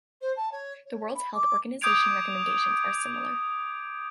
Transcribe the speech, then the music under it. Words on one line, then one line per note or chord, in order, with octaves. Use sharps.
The World Health Organization recommendations are similar.
C5
A5
C#5
C#5
B5
D6
D6 D#6 G6 G#6 D7 F7